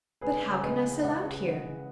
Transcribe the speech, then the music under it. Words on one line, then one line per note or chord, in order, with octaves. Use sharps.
"But how can I sell out here?"
C#2 G#4 B4
C#3
C#2 B4 D#5
E3
C#2 D#5 F#5
C#3
C#2
E3